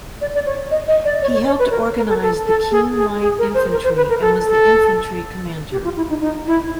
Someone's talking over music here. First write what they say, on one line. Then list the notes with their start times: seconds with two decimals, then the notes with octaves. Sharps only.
He helped organize the Keene light infantry and was the infantry commander.
0.21 D5
0.35 D5
0.46 C#5
0.71 D#5
0.88 D#5
1.05 D5
1.22 C#5
1.34 C#5
1.47 C#5
1.59 B4
1.71 A#4
1.97 A#4
2.09 A4
2.22 A4
2.47 A4
2.71 G#4
2.96 G#4
3.21 G#4
3.39 A#4
3.54 C5
3.72 A#4
3.84 C5
3.97 B4
4.10 A#4
4.21 A4
4.46 A4
5.72 G4
5.84 F4
5.96 E4
6.09 D#4
6.21 D#4
6.47 E4